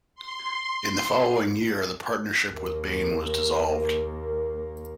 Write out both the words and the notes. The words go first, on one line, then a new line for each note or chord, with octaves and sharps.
In the following year the partnership with Baine was dissolved.
C6
D#2 A#3